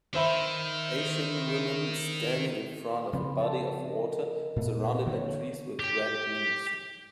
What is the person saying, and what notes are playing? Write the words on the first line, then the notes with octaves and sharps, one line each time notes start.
Asian women standing in front of a body of water and surrounded by trees with red leaves.
D#3 C5 E5 B5
C#3 F3 C4 D5 B5 C6
A4 F#5 A5
A#4 D#5
A#2 A3 B3
D3 E3 A#3 C#5 C#6
G4 G5